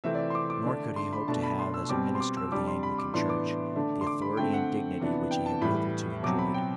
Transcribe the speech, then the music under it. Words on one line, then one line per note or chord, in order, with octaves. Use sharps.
Nor could he hope to have, as a minister of the Anglican Church, the authority and dignity which he had hitherto enjoyed.
C3 E3 A3 C4 E5
D5
C6
D6
D6
D3 A3 D4
C6
B5
B2 A3 D4 A5
B5
C6
E6
B2 G3 C4 D6
C6
D6
E6
C3 G3 D4 D6
C6
B5
D6
A2 E3 B3 D4 C6
D6
D3 A3 D4
C6
D6
B5
D3 A3 C4 G5
F#5
C3 E3 B3 D4
G5
A5
A2 E3 G3 B5
B2 F#3 C4 D6
B5
G5